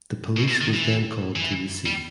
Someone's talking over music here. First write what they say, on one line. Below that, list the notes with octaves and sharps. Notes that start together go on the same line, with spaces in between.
The police was then called to the scene.
B2
B2
D#3
E3
E3
G3